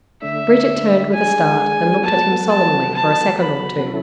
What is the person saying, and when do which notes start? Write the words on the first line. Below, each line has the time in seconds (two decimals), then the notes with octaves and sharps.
Bridget turned with a start and looked at him solemnly for a second or two.
0.22 D3 A3 D4 E5
1.12 G#3 D4 G#4 G#5
2.03 F#3 B3 F#4 A4 A5
2.49 A5
2.93 F#3 B3 F#4 A4 A5
3.39 B5
3.84 F#3 C#4 E4 A4